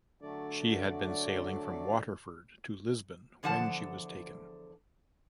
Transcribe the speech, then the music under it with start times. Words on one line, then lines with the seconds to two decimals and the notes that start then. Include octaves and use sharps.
She had been sailing from Waterford to Lisbon when she was taken.
0.22 D3 F#3 A3 D5
3.43 E2 D3 F3 F#5 A5